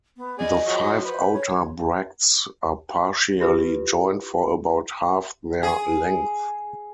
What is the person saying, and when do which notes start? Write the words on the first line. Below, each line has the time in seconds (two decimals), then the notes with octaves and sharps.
The five outer bracts are partially joined for about half their length.
0.17 B3
0.39 G#4 D5 D#5
0.66 F3 F#3 F#4
1.05 B4 C5
1.33 C#5
3.40 E4 F4 G4 A4 B4
5.63 G#4